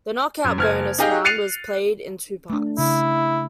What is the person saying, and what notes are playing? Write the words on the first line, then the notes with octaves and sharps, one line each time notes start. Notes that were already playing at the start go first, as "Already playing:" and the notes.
The Knockout bonus round was played in two parts.
F#2
F#1 F6 G#6
D#4 G4 G#4 D#5 F5 G5
F#6 A6 C7 C#7 D#7 F7
A3 D4
C#3 E4